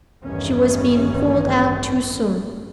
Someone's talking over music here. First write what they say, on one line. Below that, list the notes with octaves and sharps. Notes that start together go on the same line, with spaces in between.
She was being pulled out too soon.
A1 E2 G2 D#3 C#4